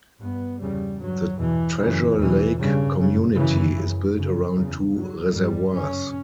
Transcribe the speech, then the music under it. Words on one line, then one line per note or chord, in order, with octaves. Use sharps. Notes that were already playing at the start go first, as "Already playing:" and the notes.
The Treasure Lake community is built around two reservoirs.
G2 B3
E2 C#3 G3
G2 F#3
E2 B2 E3
F#2 C#3 E3
E2 B2 E3
G2 C#3
F#2 C#3
F#2 C#3 E3
F#2 C#3
F#2 C#3
E2 C#3
G2 F#3
G2 G3
F#2 C#3 C#4